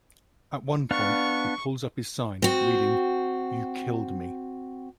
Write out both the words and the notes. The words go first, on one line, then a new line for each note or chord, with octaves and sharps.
At one point he pulls up his sign, reading "You killed me".
B3 D4 F5 C#6
C4 F#4